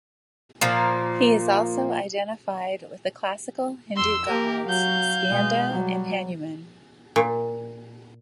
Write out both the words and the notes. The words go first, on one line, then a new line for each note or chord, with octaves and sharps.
He is also identified with the classical Hindu gods Skanda and Hanuman.
A#2 F3 A#3
F2 C6 E6
A#3 G4 A#4
F#3 F5 G6
B2 G#3
F#3 G3
A#2